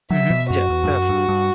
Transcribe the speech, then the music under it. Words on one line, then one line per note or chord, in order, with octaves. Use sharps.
Mhm, yeah, definitely.
F#3 E5
B2
F#2 F#4
E2
G2
F#2
G2
G2